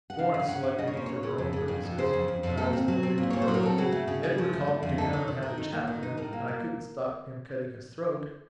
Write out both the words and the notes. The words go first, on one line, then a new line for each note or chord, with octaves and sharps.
Florence selected me for her own purposes, and I was no good to her; Edward called me to come and have a chat with him, and I couldn't stop him cutting his throat.
F#5
C#3 F5
C#3
F5
C#3 F#5
C#3
C#3 D#5
C#5
A#3 C5
C#3 C#5
C#3
F2
C#3
F2
F2
C#3 C5
F2
F2
F2
A#2 A4
C4
F#3
C4
A#2
A#2 C#5
C5
F#3
A#4
C4 A4
C#3 F#4
A3
C#3
C#3
F3
A3
A3
F2
D#4 A4
D#3
D#3
D#3
D#4
A#3
D#3
D#4
A2 A#4
A#3
A#3